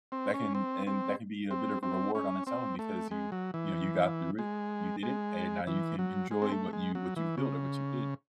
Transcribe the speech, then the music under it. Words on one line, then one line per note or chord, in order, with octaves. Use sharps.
That can and that can be a bit of a reward on its own because you you know, you got through it, you did it, and now you can enjoy what you what you've built or what you did.
C4
C#4
C4
C4
C4
C4
C#4
C4
A3
G#3
F#3
E3
G#3
G#3
E3
F#3
G#3
C4
A3
G#3
F#3
E3
C#3